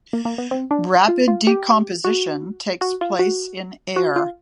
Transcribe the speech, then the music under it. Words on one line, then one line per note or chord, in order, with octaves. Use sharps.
Rapid decomposition takes place in air.
A#3
A#3
B3
C4
D4
F4
F4
G4
F#4
F#4
F4
F#4
F#4
F4